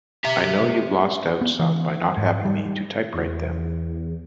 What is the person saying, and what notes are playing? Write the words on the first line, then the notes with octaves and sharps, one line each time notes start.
I know you've lost out some by not having me to typewrite them.
G4 E5
B3
E3
G#2
G3
G3
E2